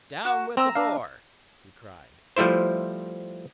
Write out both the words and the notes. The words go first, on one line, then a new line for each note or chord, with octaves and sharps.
"Down with the door!" he cried.
F#4
C4 A#5 E6
D4 F5
F3 G3 A3 E4 C5